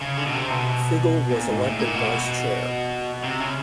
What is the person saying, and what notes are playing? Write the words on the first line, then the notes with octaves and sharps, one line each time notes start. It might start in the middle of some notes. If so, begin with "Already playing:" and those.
Figl was elected vice chair.
C#3
D3
B2
C3
B2
A#2
G#2
A2
A#2
B2
C3
C#3